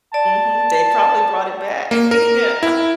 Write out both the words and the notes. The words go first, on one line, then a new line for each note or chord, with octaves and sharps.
Mhm. They probably brought it back. Yeah,
D5 A5
A#3
A#4
E4